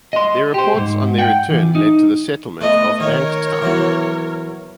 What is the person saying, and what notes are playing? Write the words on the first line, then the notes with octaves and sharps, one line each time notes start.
Their reports on their return led to the settlement of Banks' Town.
D#5 C6
G4 C5
C2 G#2
F#5 G5
E3
D#4
A3 B3 D#5
D#3 A#4 C#5
E3 F#3 B3